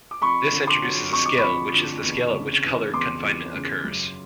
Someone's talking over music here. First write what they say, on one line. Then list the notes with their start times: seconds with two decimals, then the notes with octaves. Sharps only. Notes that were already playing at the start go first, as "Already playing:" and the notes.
This introduces a scale, which is the scale at which colour confinement occurs.
0.11 D6
0.22 F2 B5 C#6
0.52 D3
0.67 C6 D6
0.82 F#3
1.13 F2 C#6
1.26 D6
1.38 F2 B5 C#6
1.73 D3
2.03 E2
2.33 C#3
2.64 E3
2.93 E2 C6 D6
3.24 E2
3.54 C#3
3.84 F#2